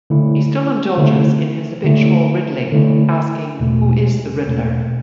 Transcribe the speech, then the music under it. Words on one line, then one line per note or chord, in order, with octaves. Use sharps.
He still indulges in his habitual riddling, asking Who is the Riddler?
D3 A3 E4
D3 A3 E4
D3 A3 E4
D3 A3 E4
E2 B2 A3
E2 B2 A3